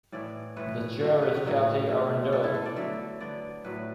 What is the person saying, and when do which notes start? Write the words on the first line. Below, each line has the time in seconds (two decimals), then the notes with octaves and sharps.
The Chair is Kathie Arundell.
0.12 A2 E3 A3 D5
0.56 A2 E3 A3 B4
1.01 D3 A3 F#4
1.22 B4
1.44 A2 F#3 A3
1.89 B2 A3
2.32 B2 B3 A4
2.44 E4
2.54 A4
2.66 D5
2.76 D3 F#3 A3 E5
3.20 D3 B3 D5
3.65 A2 F#3 A3 B4